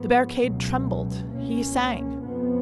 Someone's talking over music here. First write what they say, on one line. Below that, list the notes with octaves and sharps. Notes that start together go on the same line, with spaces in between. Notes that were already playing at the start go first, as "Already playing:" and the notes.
The barricade trembled; he sang.
Already playing: G#2 F3 B3
C#2 B2 F#3
C#2 B2 A#3 C#4
F2 F3 B3